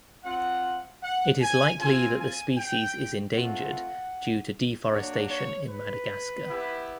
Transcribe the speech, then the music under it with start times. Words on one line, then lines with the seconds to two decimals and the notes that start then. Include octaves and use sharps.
It is likely that the species is endangered due to deforestation in Madagascar.
0.25 C4 F4 F#5
1.03 F#5
1.41 G#5
1.80 C4 F4 G#5
2.19 G#5
2.57 G5
3.35 A3 C4 F4 F#5
4.90 A#3 D4 F#4 C#5
5.29 C#5
5.68 B4
6.46 B3 E4 G4